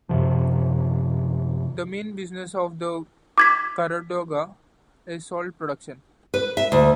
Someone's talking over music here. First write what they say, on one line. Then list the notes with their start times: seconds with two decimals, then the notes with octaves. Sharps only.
The main business of the Kharaghoda is salt production.
0.09 F#2 C3 F3
3.38 D6 G#6 B6
6.34 B4
6.57 E5
6.72 D2